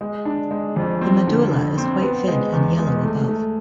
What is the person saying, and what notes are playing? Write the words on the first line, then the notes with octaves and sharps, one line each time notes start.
The medulla is quite thin and yellow above.
G#3
D4
G#3
F2
C4
D3
D3
C4
B3
G#3
E2
G#3
A3
A3